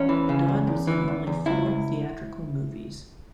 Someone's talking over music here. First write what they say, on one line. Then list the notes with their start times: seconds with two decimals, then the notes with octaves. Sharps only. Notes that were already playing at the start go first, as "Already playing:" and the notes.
Dodd was in only four theatrical movies.
Already playing: E2 C#4
0.09 E3
0.29 C#3
0.48 E2
0.67 E2
0.87 E3
1.08 E2
1.27 E2
1.46 C#2 E4
1.66 C#2